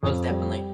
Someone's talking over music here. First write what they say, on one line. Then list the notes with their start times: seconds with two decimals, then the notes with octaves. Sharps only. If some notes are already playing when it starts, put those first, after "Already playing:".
most definitely.
0.03 F2
0.30 G3